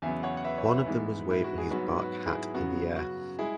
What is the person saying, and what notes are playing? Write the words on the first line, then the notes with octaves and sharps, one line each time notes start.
One of them was waving his bark hat in the air.
E2 C#3 F#3 B3 E5 G#5
C#5 F#5
F#5
B4 E5
C#5
B4 E5
G#2 E3 G#3 B3
E4
F#4
G#4
G#2 F#3 B3 F#4 B4
F#4 B4
E4 G#4
F#2 C#3 F#3 B3 F#4
F#4
G#3 E4 G#4